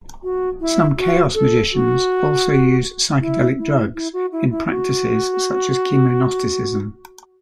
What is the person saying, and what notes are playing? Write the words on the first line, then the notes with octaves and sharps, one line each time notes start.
Some chaos magicians also use psychedelic drugs in practices such as chemognosticism.
F#4
E4
F#4
A4
F#4
E4
E4
E4
F#4
E4
E4
F#4